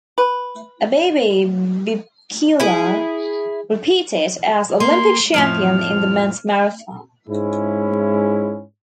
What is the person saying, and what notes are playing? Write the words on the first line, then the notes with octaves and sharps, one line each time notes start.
Abebe Bikila repeated as Olympic champion in the men's marathon.
B4
E4 G#4
A#3 C6
F2 A2 F3 F6
G#2 G#3 C#4 E4